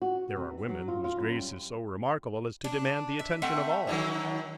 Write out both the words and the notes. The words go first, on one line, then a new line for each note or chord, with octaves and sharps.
There are women whose grace is so remarkable as to demand the attention of all.
F#4
C3
E3
F#3
F4
F4
F#2
G3
D4
E5
A3 C4 E5 F#5
D3 D#3 F#3